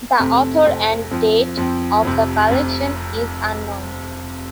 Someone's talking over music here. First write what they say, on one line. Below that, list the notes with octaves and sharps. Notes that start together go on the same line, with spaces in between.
The author and date of the collection is unknown.
F2 C3 A3 C4
F2 C3 A3 C4
F2 F3 C4
F2 F3 C4
F1 F2 C3
F1 F2 C3